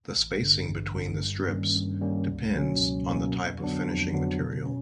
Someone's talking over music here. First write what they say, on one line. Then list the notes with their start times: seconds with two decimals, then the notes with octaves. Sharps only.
The spacing between the strips depends on the type of finishing material.
0.16 A1
0.42 G2 D3
0.69 A1
0.95 G2 D3
1.22 G2
1.49 D#3 G3 A#3 C#4
1.75 G2
2.01 D#3 G3 A#3 C#4
2.28 C#2
2.54 B2 F#3 A#3 C#4
2.81 C#2
3.07 B2 F#3 A#3 C#4
3.33 F2
3.61 D3 F#3 B3 D4
3.87 F2
4.14 D3 F#3 B3 D4
4.39 B2
4.66 C#4